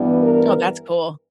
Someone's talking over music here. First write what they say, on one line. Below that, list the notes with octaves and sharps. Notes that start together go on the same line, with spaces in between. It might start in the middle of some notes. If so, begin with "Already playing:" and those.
Oh, that's cool.
Already playing: G2 E3 G3 B3
A#4